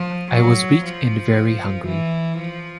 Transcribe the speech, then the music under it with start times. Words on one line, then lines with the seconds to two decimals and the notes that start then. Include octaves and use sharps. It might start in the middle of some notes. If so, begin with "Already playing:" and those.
I was weak and very hungry.
Already playing: F3
0.32 F#3
0.84 F3
1.87 E3
2.38 F3